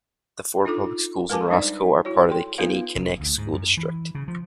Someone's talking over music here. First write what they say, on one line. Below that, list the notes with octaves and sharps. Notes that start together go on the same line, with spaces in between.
The four public schools in Roscoe are part of the Kinnikinnick School District.
D4 D#4 F4 A4 D6
G#3 A#4 B4 G#5 A5 D6
G3 D4 D#4 C5 D5
E4 F#4 C#5
A4 G5 C6
B3 D#4 F4 B4 F5
F1
D2
G#2
F#2
E3
C#3
F3